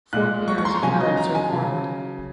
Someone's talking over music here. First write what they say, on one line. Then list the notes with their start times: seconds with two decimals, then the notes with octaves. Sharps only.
Four pairs of nerves are formed.
0.13 A#2 G#3 F#6
0.48 C#6
0.58 C#6
0.65 C6
0.75 A#5
0.83 C#3 F#3 G#5
1.00 D#5
1.17 A#5
1.35 G#5
1.52 C#3 F#3